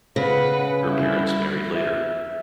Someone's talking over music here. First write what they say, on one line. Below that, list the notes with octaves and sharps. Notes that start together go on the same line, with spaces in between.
Her parents married later.
C#3 B4 F#5
G3 E4
E5